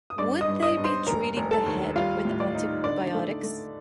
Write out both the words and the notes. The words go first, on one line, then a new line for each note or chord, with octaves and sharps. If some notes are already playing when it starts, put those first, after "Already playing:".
Would they be treating the head with antibiotics?
D#6
G2 D5 D6
D#5 D#6
G2
D#5 D#6
G2
C5 C6
F1 A#4 A#5
F1
A4 A5
D#2
G3 F4 F5
A2
D5
D#4
D3 D5
A3
A3